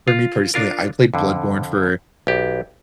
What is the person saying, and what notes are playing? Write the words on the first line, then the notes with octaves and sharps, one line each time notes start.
for me, personally, I played Bloodborne for
F4
D4 F4 A#4
F2 D3
B1 G4